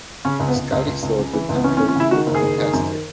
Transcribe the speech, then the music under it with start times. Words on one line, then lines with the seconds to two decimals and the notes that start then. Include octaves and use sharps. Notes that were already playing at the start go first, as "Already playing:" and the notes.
Scully thought that the implosion looked "fantastic".
0.25 C#3 C#4
0.40 C#2
0.48 B3
0.56 C#2
0.72 C#2
0.87 C#2
1.03 C#2
1.19 C#3
1.33 E3
1.49 C#2
1.55 B3
1.64 E3 C#4
1.77 C#4
1.81 E3
1.88 C#4
1.96 C#3 E4
2.11 D#3 F#4
2.27 F#1
2.35 G#4
2.42 F#1
2.58 D#3
2.73 F#2